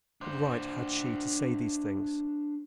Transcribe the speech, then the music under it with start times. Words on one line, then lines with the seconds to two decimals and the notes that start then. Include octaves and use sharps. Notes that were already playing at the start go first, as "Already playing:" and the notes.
What right had she to say these things?
0.21 D4 C5